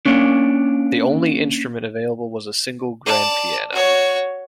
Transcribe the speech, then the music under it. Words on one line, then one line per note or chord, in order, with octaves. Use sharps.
The only instrument available was a single grand piano.
A#3 C#4 D4
D5 A5
F#4 C#5